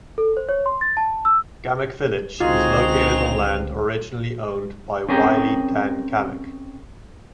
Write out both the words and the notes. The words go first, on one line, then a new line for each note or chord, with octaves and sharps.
Cammack Village is located on land originally owned by Wiley Dan Cammack.
A4
C5
C#5
C6
A6
A5
E6
C#2 D3 C4 D#4 F4 F#4 G#4 F7
C4 C#4 G#4 A#4 G5